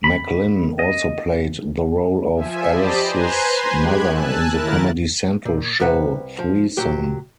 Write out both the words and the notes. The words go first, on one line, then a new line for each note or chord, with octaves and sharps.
McLynn also played the role of Alice's mother in the Comedy Central show "Threesome".
B5
D#5
F3 E5 G#5
G4 C5 D5 D#5 A5 B5
B4 C5 G#5 A#5 C6
G#3 G4 B5 F#6 G#6
G#5 A5 E6 F#6
D#2 E4 A#4 F#6 A6
A#2
C2 C3 B4 E5 F#5
F3
A#2 F#3 G4